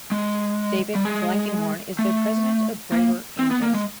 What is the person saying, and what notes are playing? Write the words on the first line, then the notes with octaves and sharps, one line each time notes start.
David Blankenhorn is the president of Braver Angels.
G#3
G3
G#3
A3
A#3
C4
B3
A#3
G#3